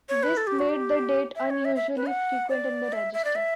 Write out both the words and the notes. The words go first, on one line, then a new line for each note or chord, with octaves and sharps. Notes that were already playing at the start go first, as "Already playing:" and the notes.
This made the date unusually frequent in the register.
C#5
B4
A4
G4
F#4
G4
E5
C#5
E5
E5
B4
F#5
D5
E5
E5
D5
E5